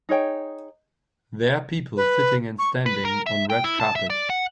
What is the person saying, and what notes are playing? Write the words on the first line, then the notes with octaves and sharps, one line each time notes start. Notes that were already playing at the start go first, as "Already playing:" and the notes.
There people sitting and standing on red carpet.
D#4 G#4 C#5 G5
B4
C#6
B4
A#4
E5
G5
E4
A5
E5
D5
F#5